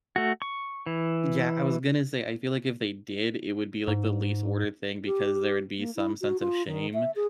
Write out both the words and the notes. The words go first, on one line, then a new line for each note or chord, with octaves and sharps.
Yeah, I was gonna say, I feel like if they did, it would be, like, the least ordered thing because there would be some sense of shame
A3 F#4
C#6
E3
G#2
G4
A#3
E4
F#4
F4
D#3
E5
G#4